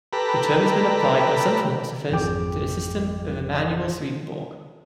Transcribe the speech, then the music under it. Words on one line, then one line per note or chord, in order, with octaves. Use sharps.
The term has been applied by some philosophers to the system of Emanuel Swedenborg.
G4 A4 B4 A#5 B5
G#1 F2 F3 G#4 G5 D6